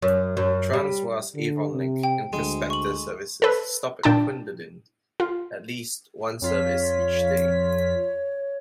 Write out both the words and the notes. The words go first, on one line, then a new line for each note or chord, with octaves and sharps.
Transwa's "Avonlink" and "Prospector" services stop at Cunderdin, at least one service each day.
F#2
F#2
G3
D3
C3
G5
D2 G#3
C#6 F#7
A4 B4
A#2 D4 G5 A5
F4
F2 F4 C#5 B6